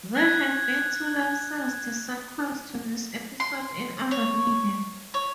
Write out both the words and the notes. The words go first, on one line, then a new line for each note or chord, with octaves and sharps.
There have been two licensed sequels to this episode in other media.
F#6 G#6
C6
C#5
C#5